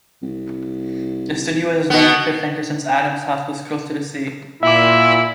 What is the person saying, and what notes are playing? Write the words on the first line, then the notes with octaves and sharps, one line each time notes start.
The studio was named Cliffhanger since Adams' house was close to the sea.
C2
B2 B3
A#2 E4 E5 D6